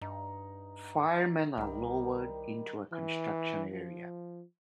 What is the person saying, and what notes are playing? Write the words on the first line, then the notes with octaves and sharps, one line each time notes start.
Firemen are lowered into a construction area.
G2 D#4
C2 D#3 G3
E3
F3